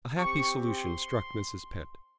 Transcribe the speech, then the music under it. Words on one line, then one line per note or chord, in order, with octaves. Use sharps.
A happy solution struck Mrs. Pett.
C4 G4 C#6
C6